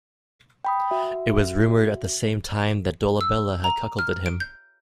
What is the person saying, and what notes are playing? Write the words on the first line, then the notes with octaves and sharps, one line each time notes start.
It was rumoured at the same time that Dolabella had cuckolded him.
G5 B5 D#6
F#4 E5
E6
A#5
F6
D7
G6